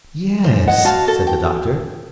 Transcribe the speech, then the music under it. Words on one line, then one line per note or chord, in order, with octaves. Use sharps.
"Yes," said the Doctor.
F#2 C5
D#5 F#5
F#4 F5 A5 C6
A4 A5
G5